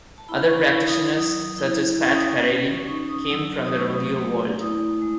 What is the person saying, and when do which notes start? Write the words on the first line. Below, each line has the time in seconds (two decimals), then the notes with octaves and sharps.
Other practitioners, such as Pat Parelli, came from the rodeo world.
0.18 A5
0.28 E4 B5
0.46 C#6
0.58 B5
0.72 E4
0.86 D#6
1.14 F#3 D#6
1.58 E4
2.01 C#4 C#6
2.13 D#6
2.25 C#6
2.43 C#4
2.86 D#4 C#6
3.08 D#6
3.22 D#6
3.30 F#3 E6
3.52 E6
3.65 D#6
3.74 A3 C#6
3.91 D#6
4.17 A3
4.59 E4 D#6
5.02 G#3